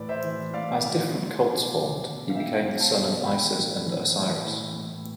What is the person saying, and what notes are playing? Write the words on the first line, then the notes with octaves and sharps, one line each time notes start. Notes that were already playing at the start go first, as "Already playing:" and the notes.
As different cults formed, he became the son of Isis and Osiris.
Already playing: A2 E3 B4 D5
C5 E5
E3
A2 D5 F5
E3
A2
B2
B2
B2
F5
B2 E5 G5
B2
F5 A5
B2
E3 G5 B5
A2
E3
A2
E3
A2